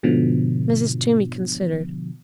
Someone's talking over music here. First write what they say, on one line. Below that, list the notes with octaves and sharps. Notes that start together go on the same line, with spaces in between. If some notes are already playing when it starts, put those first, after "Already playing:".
Mrs. Toomey considered.
G#2 B2 D3 F3